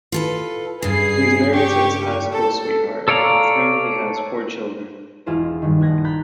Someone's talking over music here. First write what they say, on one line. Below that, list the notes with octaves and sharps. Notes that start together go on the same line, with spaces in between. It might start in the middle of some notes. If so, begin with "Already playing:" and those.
He is married to his high school sweetheart, with whom he has four children.
F4 A4 B4
G2 C#3 G#4 C7
G4 C#6
A4
A4 C#5 D5 F5 A#5
E1 E4 F4 G#4 C5
G2 D#3
A#1 F#6 G#6 A#6
A#5 B5 F#6 G6 A6